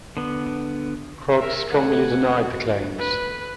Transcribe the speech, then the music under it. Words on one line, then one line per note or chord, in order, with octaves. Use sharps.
Krog strongly denied the claims.
D3 B3
A#4 E5
E2 D3 A3 F#5 G#5
F#4
B4